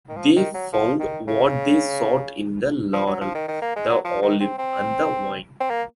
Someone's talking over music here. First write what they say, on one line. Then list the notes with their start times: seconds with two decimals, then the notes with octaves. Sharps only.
They found what they sought in the laurel, the olive, and the vine.
0.09 D#3
0.17 F3
0.36 D#3
0.54 F#3
0.73 F3
1.00 D#3
1.28 C#3
2.93 F3
3.07 F#3
3.21 F3
3.35 D#3
3.48 D#3
3.62 A#3
3.76 G#3
3.90 F#3
4.04 F3
4.22 D#3
4.40 C4
4.58 C4
5.60 C4
5.70 A#3